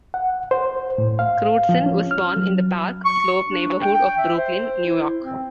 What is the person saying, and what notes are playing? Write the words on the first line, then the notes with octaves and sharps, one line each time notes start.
Crewdson was born in the Park Slope neighborhood of Brooklyn, New York.
F#5
C5
A2
F5
F3
C#4
F6
F#3
C#6
D4
G5
G5
E5
C5
E4
C4